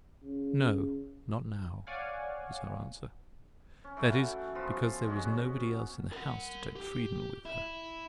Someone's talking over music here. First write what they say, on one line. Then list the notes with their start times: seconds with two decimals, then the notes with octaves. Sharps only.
"No, not now!" was her answer; that is, because there was nobody else in the house to take freedoms with her.
0.23 C#3
1.87 C#5 D5 F5 F#5 G#5
3.84 C#4
3.97 E3 F#3 A3
4.55 F3 B3 F4
5.07 B2 G#3 C#4 F#4
6.12 A#4 F#5
6.75 G4
7.45 E4